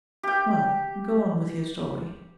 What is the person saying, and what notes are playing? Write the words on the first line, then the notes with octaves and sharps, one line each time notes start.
"Well, go on with your story."
G4 G5